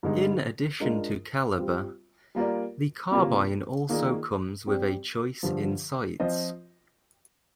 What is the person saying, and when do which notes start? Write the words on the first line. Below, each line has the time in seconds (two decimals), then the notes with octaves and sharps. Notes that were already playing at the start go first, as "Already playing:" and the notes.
In addition to caliber, the Carbine also comes with a choice in sights.
0.03 G2 D3 G#3 D#4
0.80 G#3 D4 F4 A#4 D#5
1.58 G3 C4 F4
2.35 G3 A#3 F4 A#4 D5
3.11 C3 G3 A#3 F4
3.89 D#3 A#3 F4 G#4 D5
4.67 G3 C4 G4 D5
5.43 G2 D3 F3
6.20 F3 C4 F4 C5 D#5